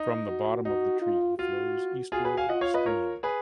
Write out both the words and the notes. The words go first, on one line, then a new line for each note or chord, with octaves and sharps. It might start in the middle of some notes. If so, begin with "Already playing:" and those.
From the bottom of the tree flows eastward stream.
Already playing: D#4
F#4
D#4 F#4
F4
F4 F#4
F4 F#4 G#4
G#4 B4
F5 G#5
F4 D#5 F#5
C#5 F5
B4 D#5
A#4 C#5
G#4 B4